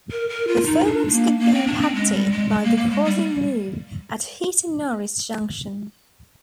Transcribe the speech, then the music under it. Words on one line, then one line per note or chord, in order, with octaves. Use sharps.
Performance could be impacted by the crossing move at Heaton Norris Junction.
A#4
A#4
F4
D#4
D4
G#3
A#3
A#3
C4
D4
C4
G#3
G3
G#3
G#3
A#3
A#3
G#3
G3